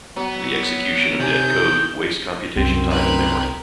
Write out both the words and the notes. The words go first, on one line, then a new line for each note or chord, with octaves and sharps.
The execution of dead code wastes computation time and memory.
F#3 B3
C3 D#3 G#5 G6
C2 F#2 C4
A#4 B4